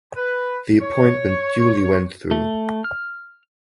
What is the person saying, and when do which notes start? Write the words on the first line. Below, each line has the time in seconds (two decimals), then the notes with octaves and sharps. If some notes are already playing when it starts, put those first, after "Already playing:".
The appointment duly went through.
0.15 B4
0.81 C#5
2.31 A3
2.84 F6